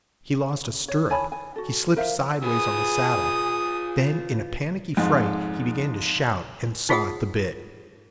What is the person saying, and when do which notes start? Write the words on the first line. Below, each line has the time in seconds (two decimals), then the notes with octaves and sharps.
He lost a stirrup, he slipped sidewise on the saddle; then in a panicky fright he began to shout and saw at the bit.
0.88 C#5
1.10 C#5 G#5 A5 B5
1.32 G#5
1.56 F#4 A4
1.96 A#4 C5 E5 F5
2.43 F4 G#4 B4 D#6
4.97 F2 G#2
6.89 D#4 F4 G#4 F#5 D#6